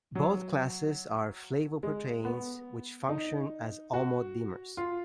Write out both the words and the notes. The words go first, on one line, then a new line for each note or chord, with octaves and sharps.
Both classes are flavoproteins which function as homodimers.
F#3
G#3
B3
D#4
F#4
F4